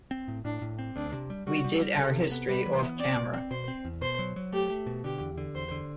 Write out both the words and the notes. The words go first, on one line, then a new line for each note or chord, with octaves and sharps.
We did our history off-camera.
C4
A2
A2 D4
A2
C4
D2 D4
C3
G3
G3 F#4
G3
G3
C3 A4
C3
B3
G3 B4
E3
B3
C4 D5
B2
C4
B2 C5
C4
E2
B2 C5
F#3
F#3
A3 G4
A3
B2
D3 G4
E2
D3
E2 C5
D3